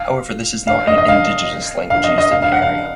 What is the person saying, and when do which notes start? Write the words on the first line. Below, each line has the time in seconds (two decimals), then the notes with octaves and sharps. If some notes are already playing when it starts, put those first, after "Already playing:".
However this is not an Indigenous language used in the area.
Already playing: F5
0.67 F5
0.87 D#5
0.98 D#5
1.08 F5
1.90 F5
2.04 D#5
2.18 D#5
2.31 F5
2.42 F5
2.52 F#5
2.62 F5